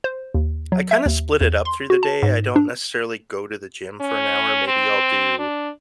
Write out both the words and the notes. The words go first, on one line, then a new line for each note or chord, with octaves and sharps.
I kinda split it up through the day, I don't necessarily go to the gym for an hour, maybe I'll do
C5
D#2
F#3
E5
D#2
E2
C6
F#4
A5
G#2
D4
C#4
C4
D4